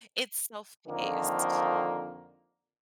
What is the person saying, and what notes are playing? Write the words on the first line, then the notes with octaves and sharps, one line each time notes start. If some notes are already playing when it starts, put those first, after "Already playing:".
It's self-paced.
F2 D3 D#3 F3 A#3